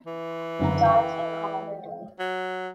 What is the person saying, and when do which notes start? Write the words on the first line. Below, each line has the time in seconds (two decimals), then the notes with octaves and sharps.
He died in Honolulu.
0.06 E3
0.59 F#1 D3 A#5
0.85 G5
2.19 F#3